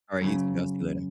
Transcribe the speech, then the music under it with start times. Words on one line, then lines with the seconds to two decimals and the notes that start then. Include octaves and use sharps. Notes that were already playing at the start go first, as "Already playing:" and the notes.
Alright, you too, I'll see you later.
0.22 F#2 A2 C#3